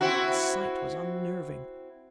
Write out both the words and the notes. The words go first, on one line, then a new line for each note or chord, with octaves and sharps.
The sight was unnerving.
C4 E4 F#4